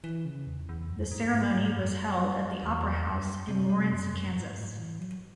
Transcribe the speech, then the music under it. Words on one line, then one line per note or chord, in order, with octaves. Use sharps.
The ceremony was held at the Opera House in Lawrence, Kansas.
E3
C#3
E2
E2
F#2
G#2
G#2
G#2
F#2
E2
F#2
C3
C3
F#2
F#2
G#2
A2
E3
F#3